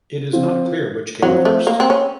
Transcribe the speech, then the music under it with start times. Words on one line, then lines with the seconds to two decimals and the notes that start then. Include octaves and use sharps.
It is not clear which came first.
0.33 F3 C4 F4
1.22 F3 F#3 C4 F4
1.45 A3
1.67 A#3
1.80 C4
1.90 C#4